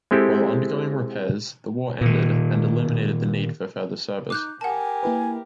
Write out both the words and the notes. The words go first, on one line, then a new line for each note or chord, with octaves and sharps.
While undergoing repairs, the war ended and eliminated the need for further service.
G#3 C4 E4 G4 A4
A#2 D#3
D#4 D6 F#6 G6
G4 A#4 F#5 G#5 A5
A#3 E4 B4